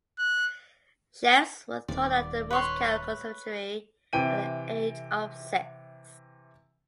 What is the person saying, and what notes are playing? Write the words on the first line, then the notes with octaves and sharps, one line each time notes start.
Scheps was taught at the Moscow Conservatory at the age of six.
F#6
D#1 D#2 D5
B4 C#5 C6
C3 E3 G5 D#7